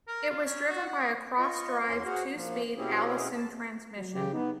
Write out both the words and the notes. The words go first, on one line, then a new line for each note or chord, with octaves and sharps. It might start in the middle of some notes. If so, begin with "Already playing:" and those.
It was driven by a cross-drive, two-speed Allison transmission.
A#4
F4
C#4
F#4
F#5
G#4
F4 D#5 C#6
E2 C#4 C6
F#4 G#4 C5 F#5 F6
A#2 F3 A#3
B2 C4 C#4 E4 G4 G#4
A5
F#3
C#3 G4
B3 D#4